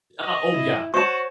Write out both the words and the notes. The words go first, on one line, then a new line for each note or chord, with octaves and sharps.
Uh, oh yeah,
D#5
E4
F#4 C5 C#5 A5 C#6